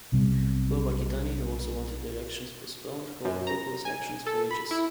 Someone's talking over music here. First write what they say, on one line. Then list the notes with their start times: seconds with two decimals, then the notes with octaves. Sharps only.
Bob-Akitani, who also wanted the elections postponed, called Boko's action "courageous".
0.12 B1 C3 G3 C4
3.25 F#2
3.47 A#5
3.85 G#5
4.27 A4
4.51 B5
4.71 E4